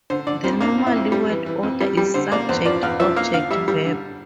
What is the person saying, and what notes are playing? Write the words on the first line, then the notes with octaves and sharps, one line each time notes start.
The normal word order is subject-object-verb.
D3 C5
D3 D5
F2 C5
A#3 D4
F2
E4
F2
G3
E3
E3
F2
G3
G3
D3 C5
A#3 D5
E2 C5
F3 D5
E2 F5
F3 E5
A#3 F5
D3 F5
G3 E5
G3
D3